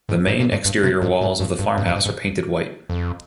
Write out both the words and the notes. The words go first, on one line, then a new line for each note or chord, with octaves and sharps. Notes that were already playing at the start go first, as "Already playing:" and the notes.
The main exterior walls of the farmhouse are painted white.
G#2
G#2
A#2
G2
G2
C3
G2
G#2
G2
G2
G2
F2
G2
G#2
F2